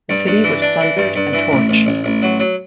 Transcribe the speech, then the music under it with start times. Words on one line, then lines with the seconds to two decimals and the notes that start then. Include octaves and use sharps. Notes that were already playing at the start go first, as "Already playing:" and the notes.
The city was plundered and torched.
0.09 G2
0.27 G2
0.44 E3
0.62 D4
0.80 E3
0.98 G2
1.16 G2
1.33 E3
1.51 A1
1.69 A1
1.86 A1
2.04 A1
2.22 F#3
2.40 F#3